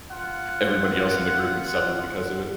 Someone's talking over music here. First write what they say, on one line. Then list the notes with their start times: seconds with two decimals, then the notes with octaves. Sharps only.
everybody else in the group would suffer because of it.
0.10 F4 F#5